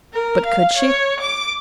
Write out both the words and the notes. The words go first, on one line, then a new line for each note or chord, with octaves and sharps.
But could she?
A#4
F5
C#5
D6